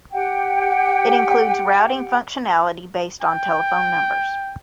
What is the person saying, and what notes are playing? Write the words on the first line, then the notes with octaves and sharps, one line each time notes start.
It includes routing functionality based on telephone numbers.
G4 F#5 G5
G5